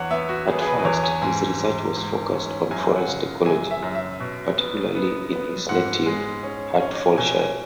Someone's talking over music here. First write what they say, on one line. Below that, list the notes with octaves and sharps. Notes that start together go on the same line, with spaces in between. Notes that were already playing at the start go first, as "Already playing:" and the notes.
At first, his research was focussed on forest ecology, particularly in his native Hertfordshire.
Already playing: E2 C#5 F#5
B3 E5
F#4
B3 G#4
G#4
B4
B4
E2 C#5
G#5
G#2 G#5
G#2
G#2
C#4
F#2 G#5
F#5
C#3
F#2 G#5
E5
F#2
E5
B2
B3
B3
B3
G#2 F#5
G#3
C#4
C#4
B2 G#5